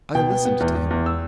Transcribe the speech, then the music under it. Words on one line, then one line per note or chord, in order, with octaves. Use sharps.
I listened to him.
B2 G5
B3
B3
E2
E2
E2
E6